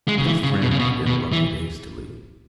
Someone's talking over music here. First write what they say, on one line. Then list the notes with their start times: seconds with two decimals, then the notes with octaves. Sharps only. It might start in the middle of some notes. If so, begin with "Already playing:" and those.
But his friend had interrupted hastily.
0.08 G#3
0.18 C#3
0.25 E3
0.43 C#3
0.62 B2
0.71 C#3
0.79 B2
1.06 B2
1.32 E3